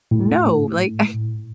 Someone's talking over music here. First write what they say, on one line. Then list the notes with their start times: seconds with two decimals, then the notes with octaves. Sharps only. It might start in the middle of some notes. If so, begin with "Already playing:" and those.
"No, like, I
0.11 A2